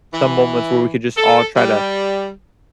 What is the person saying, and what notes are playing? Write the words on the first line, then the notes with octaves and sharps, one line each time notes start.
some moments where we could just all try to
E3
A4
G3